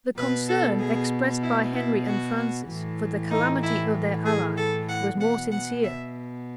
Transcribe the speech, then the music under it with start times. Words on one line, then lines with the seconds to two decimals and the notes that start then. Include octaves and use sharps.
The concern expressed by Henry and Francis for the calamity of their ally was more sincere.
0.17 B2 B4
0.49 A4
0.80 G#4
1.43 E4
1.74 E4
2.06 F#4
2.68 A2 E3
3.31 D#4
3.63 E4
4.26 G#4
4.57 A4
4.89 F#5
5.20 B2 F#5
5.52 F#5
5.84 E5